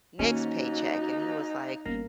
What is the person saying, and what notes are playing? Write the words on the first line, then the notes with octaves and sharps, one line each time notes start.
next paycheck.” And he was like,
D#3 A#3 C#4 D#4 F#4
G1 A#3 C#4